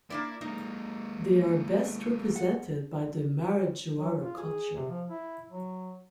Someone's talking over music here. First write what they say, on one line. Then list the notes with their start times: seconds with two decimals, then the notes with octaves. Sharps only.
They are best represented by the Marajoara culture.
0.10 A#3 D4 E4 D5
0.41 G#3 A#3 D#4
2.35 F#5
3.98 F#3
4.23 F4
4.38 G#4
4.75 C3
4.89 F3
5.09 E4
5.50 F#3